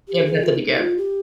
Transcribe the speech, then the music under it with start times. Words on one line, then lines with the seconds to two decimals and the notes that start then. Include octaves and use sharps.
You have nothing to give.
0.08 G4
0.26 G#4
0.43 F4
0.56 D#4
0.68 D#4
0.79 F4
0.98 G4